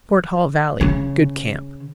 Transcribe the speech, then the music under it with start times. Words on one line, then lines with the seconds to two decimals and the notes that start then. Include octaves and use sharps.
Fort Hall Valley.--Good camp.
0.81 C#3